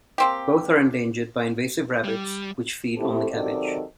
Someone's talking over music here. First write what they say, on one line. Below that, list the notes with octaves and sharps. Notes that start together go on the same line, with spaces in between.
Both are endangered by invasive rabbits which feed on the cabbage.
A#3 C4 G4
G3
A3 C4 E4 G4 A4
C3 D#3 F#3 A4 D5 D#5